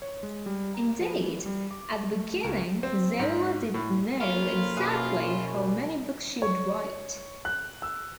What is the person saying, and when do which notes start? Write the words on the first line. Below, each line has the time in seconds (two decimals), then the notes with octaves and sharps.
Indeed, at the beginning, Zola didn't know exactly how many books he would write.
0.02 C#5
0.23 G#3
0.46 G3
0.74 A#5
1.00 F3
1.20 E3
1.46 G3
1.71 D6
2.13 A3
2.44 C#2
2.83 C4
3.19 G#2
3.74 A2
4.21 F2 A#3 C#4 F4 B5
4.77 F#2 B2 G#4 B4 F5
6.42 C#5
7.45 F#6
7.82 E6